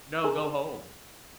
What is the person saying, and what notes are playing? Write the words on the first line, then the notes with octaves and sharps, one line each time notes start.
"No, go home.
G#4 A#4